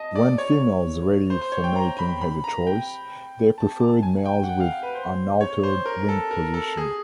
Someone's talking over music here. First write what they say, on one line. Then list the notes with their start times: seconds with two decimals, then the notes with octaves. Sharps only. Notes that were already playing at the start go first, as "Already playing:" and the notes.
When females ready for mating had the choice, they preferred males with unaltered wing position.
Already playing: D#5 A5
0.15 D5
0.38 C#5
1.30 C5
1.41 C5
1.52 C#5
1.64 G5
1.76 A#5
1.99 B5
2.21 B5
2.44 A#5
2.67 G5
3.58 A5
3.80 A5
4.03 G#5
4.25 G5
4.44 F#5
4.49 G5
4.60 F5
4.72 F5
4.83 B4
4.95 C5
5.41 C#5
5.63 C5
5.86 A#4
6.09 A4
6.31 A#4
6.54 A4
6.77 G#4